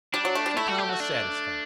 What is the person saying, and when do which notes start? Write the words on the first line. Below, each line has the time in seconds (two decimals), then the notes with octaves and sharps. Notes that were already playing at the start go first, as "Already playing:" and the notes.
So Tom was satisfied.
0.14 G3 D4
0.25 F#3
0.35 A3
0.46 G3
0.56 A3 E4
0.68 F#4
0.78 G4
0.89 F#4
1.00 D4